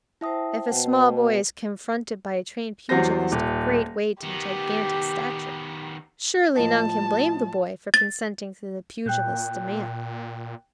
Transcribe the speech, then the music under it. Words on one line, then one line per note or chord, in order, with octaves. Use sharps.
If a small boy is confronted by a trained pugilist of great weight and gigantic stature, surely none can blame the boy for consenting to the pugilist's demands.
E4 C5 E5 G5 A5 D#6
B2 F#5
E2 F#3 G3 C5 A#6
D#1
D#3 B3 G4
A2 F3 D#5 A5
A6
A#2 G5 F#6 G6